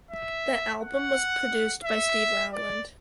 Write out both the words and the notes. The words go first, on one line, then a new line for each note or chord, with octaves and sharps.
The album was produced by Steve Rowland.
E5
F#5
E5
D5